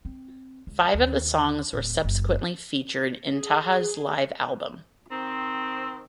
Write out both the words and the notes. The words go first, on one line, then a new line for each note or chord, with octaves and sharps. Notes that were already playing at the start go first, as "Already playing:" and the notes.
Five of the songs were subsequently featured in Taha's live album.
C4
C#2
D#2
D1
F#1
G#4
D#3 C4